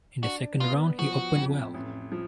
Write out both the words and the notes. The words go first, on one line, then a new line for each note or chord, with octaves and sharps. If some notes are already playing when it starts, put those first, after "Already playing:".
In the second round he opened well.
D4 F#4
B3 F4
F3 F#4
F2
A1
F3